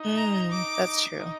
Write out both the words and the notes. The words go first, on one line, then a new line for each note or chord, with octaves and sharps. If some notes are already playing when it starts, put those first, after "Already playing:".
Mm, that's true.
Already playing: D#4
A#5
D6
D#4